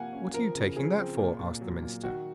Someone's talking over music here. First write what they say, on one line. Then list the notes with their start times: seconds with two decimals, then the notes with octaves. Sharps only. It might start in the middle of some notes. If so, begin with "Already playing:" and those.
'What are you taking that for?' asked the minister.
Already playing: C3 F3 A#3 F5 F#5 G#5
0.13 C#4
0.34 F3 A#4
0.55 C#3
0.76 F3 G#4
0.97 C4
1.19 A#2
1.40 A#2
1.61 F#3
1.83 A#2
2.04 D#3 F#4